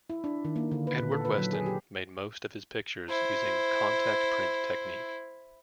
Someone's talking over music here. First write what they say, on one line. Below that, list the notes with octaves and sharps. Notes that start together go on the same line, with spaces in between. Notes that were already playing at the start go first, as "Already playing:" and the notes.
Edward Weston made most of his pictures using contact print technique.
E4
D4
D#3
A#3
D3
B4
A#2
A4
B4
F#3
G#4
G4
E4 C5